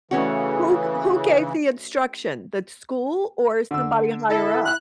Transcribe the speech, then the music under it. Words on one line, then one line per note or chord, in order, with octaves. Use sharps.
Who g Who gave the instruction, the d school or somebody higher up?
C#3 E3 A3 C#4 F#4
D3 E6
E4 A4
F#6